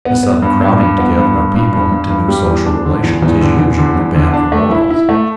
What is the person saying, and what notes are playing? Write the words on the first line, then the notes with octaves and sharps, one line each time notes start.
The sudden crowding together of people into new social relations is usually bad for morals.
B3
B3
G2
G2
G2
B3
G2
G2
G2
G2
G2
G2
G3
E2
D4
D3
E2
E2
D3
E2
D3
E2
D3
D4
A3
E4
E4
A3